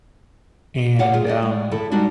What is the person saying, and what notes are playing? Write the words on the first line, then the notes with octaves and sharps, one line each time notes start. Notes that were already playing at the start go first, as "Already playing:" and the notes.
And, um,
A#2 G4 C#5 F5 F#5
D2 F4 G#4
G4 D5 D#5
G#3
A2 E4 A4
G3 G#3 D4 D#4 F#4